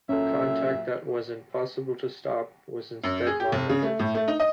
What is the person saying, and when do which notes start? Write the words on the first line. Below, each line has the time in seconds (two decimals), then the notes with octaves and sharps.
Contact that was impossible to stop was instead monitored.
0.09 A#2 F#3 C#4 A4 E5
3.04 F#2
3.26 G#4
3.40 G4
3.52 F1
3.69 C#3
3.83 A3
3.99 A2
4.15 A3
4.28 D#4
4.40 D#5